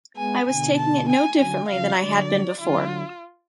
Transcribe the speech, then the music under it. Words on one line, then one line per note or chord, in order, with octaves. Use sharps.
I was taking it no differently than I had been before.
G#3 B3 G#5
B2 D3 G#5
A5
G#5
D3 F#3 G#5
C#3 F3 F5
D3 F#3 D5
D3 F#3 F4